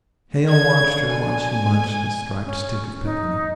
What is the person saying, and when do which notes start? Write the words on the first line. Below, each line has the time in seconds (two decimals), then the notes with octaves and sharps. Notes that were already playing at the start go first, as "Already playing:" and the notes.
Hale watched her while she munched a striped stick of peppermint.
0.49 D3 G#6
1.10 G#5
2.46 C#4
3.05 D#4